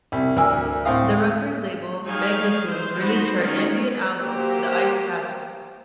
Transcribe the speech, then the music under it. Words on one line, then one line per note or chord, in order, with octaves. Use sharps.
The record label, Magnatune, released her ambient album, "The Ice Castle".
C2
D2 A#4 G#5 E6
A2 C4 F5 D#6
D#4 G#4 C#5 F5 G5 G#5
C5
B3 D#4 F#4 B4 C5
D#3 F#3 C#4 F4
A#3 F#4 G4 C5